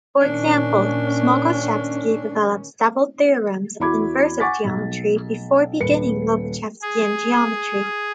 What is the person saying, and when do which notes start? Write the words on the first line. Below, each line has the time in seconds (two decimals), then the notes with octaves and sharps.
For example, Smogorzhevsky develops several theorems of inversive geometry before beginning Lobachevskian geometry.
0.21 A#2 D#3 C#4 D4
3.80 E2 E4 F#4 B5 D6 G#6
4.40 F#5 G#5 C#6 D6 A6 B6
4.64 B1
5.80 D#1 B4 C#7
6.82 G#4